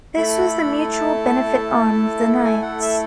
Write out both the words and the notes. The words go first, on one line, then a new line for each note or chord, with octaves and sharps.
This was the mutual benefit arm of the Knights.
A3 E4 A4 B5
A5
G#5
F#5
E5